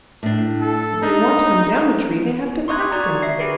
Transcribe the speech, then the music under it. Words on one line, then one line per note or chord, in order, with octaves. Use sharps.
If they want to come down a tree they have to back down.
A2 D4
A4
D4 D#4
C6 C#6 D#6 F#6 G#6
F#4 D5 A#5 C#6
C#6 G#6
E5 A#6 C7
G4 G#4 A#4 B4